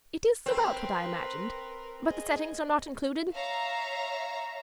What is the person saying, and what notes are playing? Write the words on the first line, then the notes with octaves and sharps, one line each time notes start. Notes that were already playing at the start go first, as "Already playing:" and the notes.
"It is about what I imagined--but the settings are not included?"
C4 A#4 B4
G#4 D#5
C#5 E5 F5 A#5